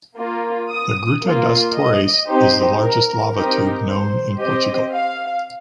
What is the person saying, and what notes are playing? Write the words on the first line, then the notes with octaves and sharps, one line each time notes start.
The Gruta das Torres is the largest lava tube known in Portugal.
A#3 F4
D#6
A#3 F4
D#5
C4 D#4 G4 C5
A#4
C4 D#4 G4 A#4
C5
C4 G4 D#5
F5